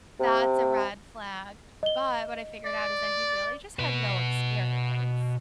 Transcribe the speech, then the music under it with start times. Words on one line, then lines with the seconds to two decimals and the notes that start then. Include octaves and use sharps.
that's a red flag." But, what I figured out is that he really just had no experience.
0.20 C3
1.83 D#5 G7
2.66 D5
3.79 B2 B4